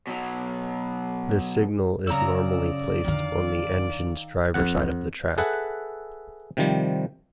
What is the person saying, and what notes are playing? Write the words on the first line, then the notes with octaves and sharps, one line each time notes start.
The signal is normally placed on the engine driver's side of the track.
B2 F#3
F#2 A#2 C#3 D5 A#5 E6
F2 D3 D#3 F5
F2 F#5
G#4 A4 B4 E5 F#5
C3 D#3 F3 G3